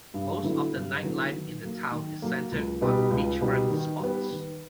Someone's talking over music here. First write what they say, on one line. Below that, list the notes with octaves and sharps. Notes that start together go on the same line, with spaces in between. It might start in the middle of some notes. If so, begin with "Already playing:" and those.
Most of the nightlife in the town is centred on beachfront spots.
G2
D3 F#3 B3 E4
G2
D3 F#3 B3 E4
D#3
F#3 A#3
D#3
F#3 A#3
C#2
B2 G3 B3 D#4
C#2
B2 G3 B3 D#4
D#3
G3 B3
D#3